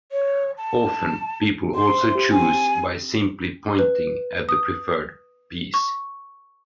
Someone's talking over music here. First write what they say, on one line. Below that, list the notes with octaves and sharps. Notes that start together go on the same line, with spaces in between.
Often people also choose by simply pointing at the preferred piece.
C#5
A5
C6
G#5
B4
D#6
C#6